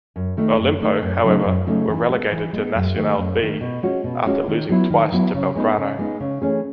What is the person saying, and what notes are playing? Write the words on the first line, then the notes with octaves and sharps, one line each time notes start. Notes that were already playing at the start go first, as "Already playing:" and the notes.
Olimpo, however, were relegated to Nacional B after losing twice to Belgrano.
F#2
D#3 A3 D#4
F#2
D#3 A3 D#4
F#2
C#3 F#3 A3 D#4
F#2
C#3 F#3 A3 D#4
E3
G#3 B3
E3
G#3 B3
F#2
D#3 A3
F#2
D#3 A3
B2
G#3 C#4 F#4
B2
G#3 C#4 F#4
D#3
F#3 B3 E4
D#3
F#3 B3 E4
C#3
G#3 B3 D#4
C#3
G#3 B3 D#4
C#3
E3 A3 C#4 G#4